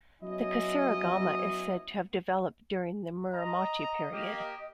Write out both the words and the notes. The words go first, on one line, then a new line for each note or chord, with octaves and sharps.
The kusarigama is said to have developed during the "Muromachi period".
F#3 B3 C#4 E4 D#5
D#5 A#5
A#3 G4